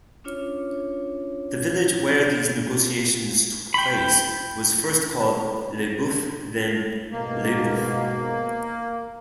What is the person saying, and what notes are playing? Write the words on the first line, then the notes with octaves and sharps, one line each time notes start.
The village where these negotiations took place was first called "Les Boeufs" then "Lesboeufs".
C#4 D4 F4 C#5
G5 B5
G#2 B2 A#3